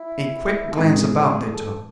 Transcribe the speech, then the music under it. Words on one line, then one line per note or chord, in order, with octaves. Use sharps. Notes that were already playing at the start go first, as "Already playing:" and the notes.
A quick glance about they took.
Already playing: E4
A4
A2 E3 G#3 C4 E4 G#4
A4